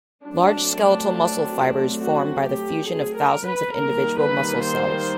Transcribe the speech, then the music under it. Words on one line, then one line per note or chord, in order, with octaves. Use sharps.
Large skeletal muscle fibers form by the fusion of thousands of individual muscle cells.
F#3 A3 C4 D4
F#4
G4
G#4
A#4
B4
D#3 G3 A#3 A#4
B4
C5